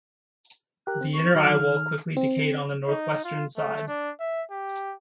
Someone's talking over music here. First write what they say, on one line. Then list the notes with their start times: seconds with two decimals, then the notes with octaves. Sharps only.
The inner eyewall quickly decayed on the northwestern side.
0.87 G4 A#4 F#6
1.01 C4
1.14 C#6
1.35 D#3 F#3 F6
1.60 D#3
2.17 C4
2.88 D#4
3.24 F4
3.57 A3
3.88 D4
4.20 E5
4.51 G4